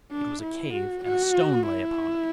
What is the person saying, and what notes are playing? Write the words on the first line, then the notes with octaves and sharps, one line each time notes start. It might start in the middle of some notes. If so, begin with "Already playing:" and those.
It was a cave, and a stone lay upon it.
D4
E4
F#4
F#4
E4